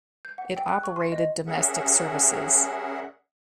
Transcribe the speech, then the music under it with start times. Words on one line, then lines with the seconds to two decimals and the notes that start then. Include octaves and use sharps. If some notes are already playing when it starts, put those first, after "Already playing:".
It operated domestic services.
0.25 G6
0.38 F#5
0.57 G5
0.69 F#6
0.83 C#6
0.96 C6
1.12 D#5
1.47 G3 C#4 G#4 A#4 E5 F#5